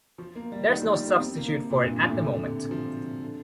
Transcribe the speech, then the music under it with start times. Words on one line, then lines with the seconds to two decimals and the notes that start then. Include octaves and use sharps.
There is no substitute for it at the moment.
0.18 F3
0.36 A#3
0.52 G3
0.69 D#3
0.82 F3
0.94 G3
1.07 A#3
1.20 C4
1.36 A#3
1.53 C3
1.70 A#2
1.83 G2
2.04 A#2
2.08 A2
2.24 D3
2.34 C3
2.46 D3
2.71 F3
3.22 D3